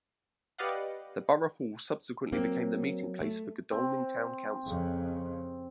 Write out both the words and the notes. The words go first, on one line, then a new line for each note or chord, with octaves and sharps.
The borough hall subsequently became the meeting place for Godalming Town Council.
G4 B4 D5 D#5 F5 F#5
F#3 A#3 C4
A3
C4
F2 C#3